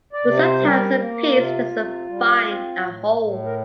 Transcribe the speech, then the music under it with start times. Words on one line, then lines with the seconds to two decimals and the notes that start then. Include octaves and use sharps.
But sometimes a piece doesn’t find a hole.
0.13 D5
0.25 C3
0.37 C5
0.61 G3 A#4
0.99 A#3
1.35 C3 F4
1.72 C3
2.09 G3
2.45 C4
2.82 A2
3.18 A2
3.45 A#4